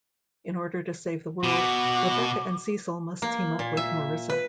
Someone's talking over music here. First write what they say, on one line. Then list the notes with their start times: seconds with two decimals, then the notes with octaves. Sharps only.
In order to save the world, Rebecca and Cecil must team up with Marissa.
1.44 B2 F#4 D6
3.22 A#3
3.59 A#2
3.77 E5
4.30 B4